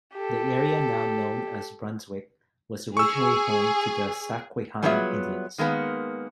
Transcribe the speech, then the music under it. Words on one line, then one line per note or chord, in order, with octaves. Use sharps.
The area now known as Brunswick was originally home to the Susquehanna Indians.
G4 A4
G#4 C#6 E6
F#3 G3 B3 F4 G#4 E5
D#3 G#3 A#3 B3